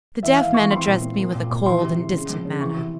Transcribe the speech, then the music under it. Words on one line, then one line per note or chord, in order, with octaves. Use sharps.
The deaf man addressed me with a cold and distant manner.
E3 E5
E3 F5
E3 C#6
C4 C6
A#2
C4
A#3
A#2
A#2
E3 C6
C3
C3
C#3
F3
C#3
E3 C#6
C3